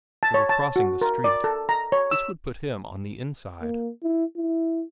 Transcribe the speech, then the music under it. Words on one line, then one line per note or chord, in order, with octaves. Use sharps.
They were crossing the street. This would put him on the inside.
A5
C#5
A5
F#4
A#4
D5
A4
A#5
C#5
E6
A#3
E4
E4